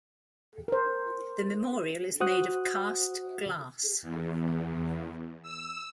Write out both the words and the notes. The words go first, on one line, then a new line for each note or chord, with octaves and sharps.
The memorial is made of cast glass.
A#4 C5
F#4 C5 F#5 D#6 F#6
E2
E6